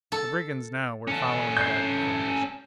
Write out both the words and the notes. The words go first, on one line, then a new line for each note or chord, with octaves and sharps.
The brigands now were following that information.
A4
C#4 A4
G6 C7